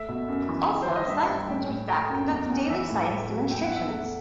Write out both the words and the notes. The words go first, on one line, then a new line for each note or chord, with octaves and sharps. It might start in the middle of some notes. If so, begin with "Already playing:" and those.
Also, Science Center staff conduct daily science demonstrations.
Already playing: A3 E5
B2
F#2
E3
D#3
C5
D#3
D#5
G2 E5
G2
A2 G5
A2
A3 G5
F#2
E2
E2
E3 E5
A2
A3
F#3
E2 G5
F#5
E2 E5
A3 F#5